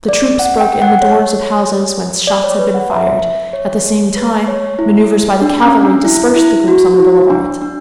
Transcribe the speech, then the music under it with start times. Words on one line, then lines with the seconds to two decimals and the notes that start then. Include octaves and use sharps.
The troops broke in the doors of houses whence shots had been fired; at the same time, manoeuvres by the cavalry dispersed the groups on the boulevards.
0.09 D5
0.39 F#5
0.60 G5
0.82 F#5
1.02 C#5
2.27 D5
2.44 C#5
2.59 B4
2.74 F#5
2.91 E5
3.53 C#5
4.17 B4
4.48 C#5
4.79 E4
5.41 D4
5.63 C#4
5.83 D4
6.05 E4
6.36 E4
6.68 F#4
6.94 F#4
6.99 E4
7.30 D4
7.62 D4